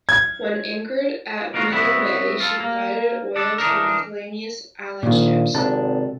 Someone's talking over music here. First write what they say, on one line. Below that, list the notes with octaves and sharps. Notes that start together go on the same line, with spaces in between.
When anchored at Milne Bay, she provided oil for miscellaneous Allied ships.
G#6
A#3 D#4 F4 F#4 A#4
G3 B3 C4 E4 F#4 E5
F4 A4
A#3
D4 A4
E3 D4 D#4 A#4
A#1 A#2 D#3
G#1 C3 D4 A4